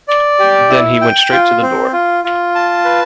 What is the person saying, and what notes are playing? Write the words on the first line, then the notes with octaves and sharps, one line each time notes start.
Then he went straight to the door.
D5
G4
E4
G5
F4
C4
F4
F4
A5
B4